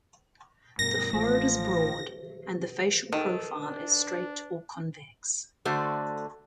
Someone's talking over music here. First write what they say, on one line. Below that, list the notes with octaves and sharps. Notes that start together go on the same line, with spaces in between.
The forehead is broad, and the facial profile is straight or convex.
G2 B2 A#4 A#6
A1 F3 A3
D#3 A4
D4
D3 A3 F#4 C5 D5